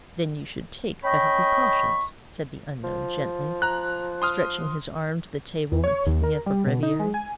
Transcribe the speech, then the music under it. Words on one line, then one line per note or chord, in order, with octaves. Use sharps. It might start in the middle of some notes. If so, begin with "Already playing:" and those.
"Then you should take better precautions," said the unknown gently, stretching his arm to the table and picking up a breviary.
C#4 D#5 G5 B5 C#6
F3
A#5 F#6
C6 D#6 F6
E2
C#5
D#2
A#4
G3
B2
D#4
G#3
G#5